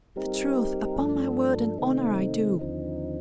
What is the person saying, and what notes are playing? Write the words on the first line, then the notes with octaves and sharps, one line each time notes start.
'The truth, upon my word and honour I do.
G3 C4 D#4 G4 A#4
G2 F3 A3 D4 A4
C3 D#3 A3 C4 D#4
D#2 D3 F3 C4 D#4